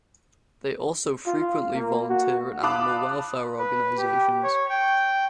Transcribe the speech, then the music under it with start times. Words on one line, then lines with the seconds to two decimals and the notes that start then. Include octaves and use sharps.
They also frequently volunteer at animal welfare organizations.
1.26 F4
1.75 A#3
2.09 F#4
2.63 F5 A5 B5 D6 D#6 F#6
3.58 B4
3.98 G4
4.43 C#5
4.69 G5